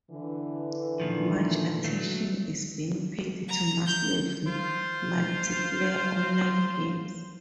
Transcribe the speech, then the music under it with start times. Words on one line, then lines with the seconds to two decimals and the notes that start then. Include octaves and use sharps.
Much attention is being paid to massively multiplayer online games.
0.11 D3 E3
1.00 A#2 D#3 F3
1.84 F#3 A3
3.48 A#5
3.86 G6
4.47 F4 C5